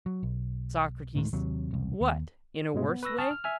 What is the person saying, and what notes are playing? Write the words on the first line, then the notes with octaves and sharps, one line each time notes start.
SOCRATES: What, in a worse way?
F#3
B1
D2 A2 D#3 G#3
D#2 C3 F#3
E1 C2
D#2
G2 B2 G#3
B3
B4 C#6 E6 A#6
G#5 A5 C#6 D#6 F6
F6
E5 G#5 F6